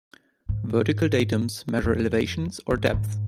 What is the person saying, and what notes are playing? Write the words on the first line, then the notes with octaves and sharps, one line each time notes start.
Vertical datums measure elevations or depths.
G#2
F2
G#2
G#2